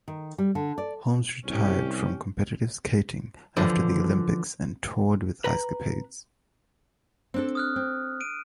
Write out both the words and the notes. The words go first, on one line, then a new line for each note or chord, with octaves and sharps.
Holmes retired from competitive skating after the Olympics and toured with Ice Capades.
D#3
G3
D3
D5
C2 C#4 G4
D3 E3 F3
B4 A#5
C4 D4 A4
D#6 F6 F#6
C4
D7 D#7